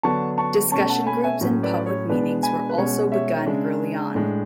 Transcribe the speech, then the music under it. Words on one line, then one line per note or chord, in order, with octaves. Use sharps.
Discussion groups and public meetings were also begun early on.
D3 F#3 B3 D4 A5 C#6
A5 C#6
B2 A3 C#4 A5 C#6
F#5 A5
G#5 B5
E5 G#5
A2 F#3 C#4
B4 D5
C#5
B2 G#3 B3 D4 B4 D5
G#5 B5
B4
B2 G#3 C#4 C#5
C#5 E5
C#3 G#3 D4
A2 G#3 D4